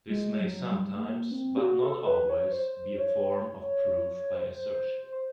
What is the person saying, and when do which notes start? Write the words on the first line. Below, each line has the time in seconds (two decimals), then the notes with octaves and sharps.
This may sometimes, but not always, be a form of proof by assertion.
0.10 G#3
0.40 F#3
0.71 G3
0.96 A3
1.01 A#3
1.31 C4
1.57 G4
1.61 F#4
1.83 A4
2.06 B4
2.29 C#5
2.51 C5
2.98 C#5
4.33 C5
5.12 C5